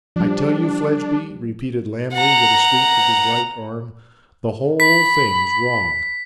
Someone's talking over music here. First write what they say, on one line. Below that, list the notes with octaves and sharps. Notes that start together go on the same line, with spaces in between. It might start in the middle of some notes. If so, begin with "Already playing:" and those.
'I tell you, Fledgeby,' repeated Lammle, with a sweep of his right arm, 'the whole thing's wrong.
F3 G3 D4
F#5 A#5
B5 B6